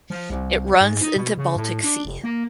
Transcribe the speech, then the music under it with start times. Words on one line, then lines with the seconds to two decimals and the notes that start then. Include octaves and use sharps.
It runs into Baltic Sea.
0.10 F3
0.30 C2
0.81 G#2
1.01 D#4
1.16 B2
1.38 C#3
1.56 A2
1.83 D4
2.05 F1
2.24 A#3